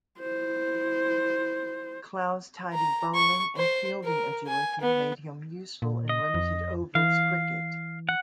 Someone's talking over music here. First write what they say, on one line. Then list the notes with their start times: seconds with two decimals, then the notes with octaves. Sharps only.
Clough's tidy bowling and fielding agility made him useful in limited-overs cricket.
0.20 E4 C5
2.73 A#5
3.15 C#6
3.57 C5
4.04 A#4
4.47 G#5
4.81 B3
5.82 A#2
6.09 D#5
6.34 F2
6.95 E3 F5
8.09 F#5